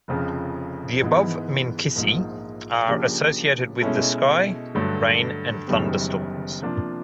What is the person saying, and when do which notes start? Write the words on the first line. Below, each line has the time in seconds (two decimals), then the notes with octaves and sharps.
The above minkisi are associated with the sky, rain, and thunderstorms.
0.08 F1 F2 C#3 F3
1.02 G#2 E3 G#3 B3
1.95 A#1 G#2 F3 A#3
2.88 C#3 F3 A#3 D4 G4
3.81 B2 G#3 C#4 E4 A4
4.75 G2 D3 F#3 A3
5.68 F#1 F#2 D#3 G3 B3
6.62 C3 F3 A#3 D4 F4